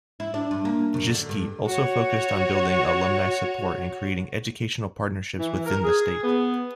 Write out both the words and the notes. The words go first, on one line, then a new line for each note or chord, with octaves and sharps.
Jischke also focused on building alumni support and creating educational partnerships within the state.
E4
D4
G2
A#3
F#2
D3
G2
F#4 C#5
E3
A#4
G#4
B3